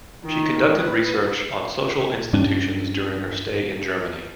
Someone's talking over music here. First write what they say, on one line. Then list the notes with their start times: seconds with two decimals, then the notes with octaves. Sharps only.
She conducted research on social institutions during her stay in Germany.
0.25 D#3
0.78 B4
2.33 G2 G3 C#4 D4